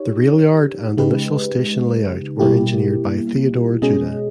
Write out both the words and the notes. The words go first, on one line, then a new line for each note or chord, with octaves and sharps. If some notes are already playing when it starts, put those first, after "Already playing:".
The rail yard and initial station layout were engineered by Theodore Judah.
Already playing: D#4 G4 C#5
C#3 G#3 D#4 G4 B4
B2 G3 A#3 E4 G4
B2 G#3 C#4 G#4 D#5